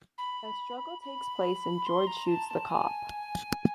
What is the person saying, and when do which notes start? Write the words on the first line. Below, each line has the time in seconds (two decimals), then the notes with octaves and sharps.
A struggle takes place and George shoots the cop.
0.18 B5
1.01 B5
1.85 C6
2.06 A#5
2.27 A5
2.48 A5
2.69 G#5